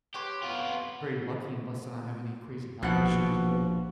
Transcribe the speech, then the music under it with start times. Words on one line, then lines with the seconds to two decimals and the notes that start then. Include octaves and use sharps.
very lucky and blessed to not have any crazy health issues, but
0.14 G4 B4 C#5 C6
0.43 B3 F4
2.83 A#1 B2 F3 F#5